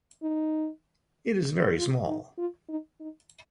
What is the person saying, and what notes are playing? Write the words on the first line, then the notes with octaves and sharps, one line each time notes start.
It is very small.
D#4
F4
D#4
F4
D#4
D#4